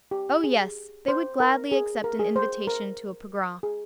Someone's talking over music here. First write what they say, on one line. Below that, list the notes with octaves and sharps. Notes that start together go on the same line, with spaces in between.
Oh, yes, they would gladly accept an invitation to a pogrom.
G4
G#4
C5
A#4
G#4
A#4
G#4
C5
A#4
G#4